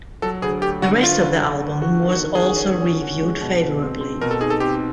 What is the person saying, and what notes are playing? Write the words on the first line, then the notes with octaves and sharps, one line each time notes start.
The rest of the album was also reviewed favourably.
F#3 A4
D2 G#4
A3 G4
D3 F#4
A3 F4
D3
D3
A3
F#4
D#3
F#4
D#3
G#4
C#4
C#4
C#4
F#4
G#3
B2
B2
C4
C4
B2 A#4
A4
D#4 G#4
A4
C4 G4